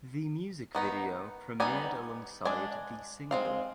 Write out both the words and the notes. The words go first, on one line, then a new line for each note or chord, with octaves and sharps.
The music video premiered alongside the single.
D#3 B3 D#4
G3 B3 D#4 G#5
G#3 D4 G#5
G#3 C4 F5